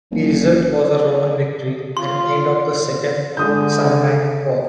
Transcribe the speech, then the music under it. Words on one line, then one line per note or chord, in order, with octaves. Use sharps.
The result was a Roman victory and end of the Second Samnite War.
F#1
F4 C6
D3 G#3 D#6 G6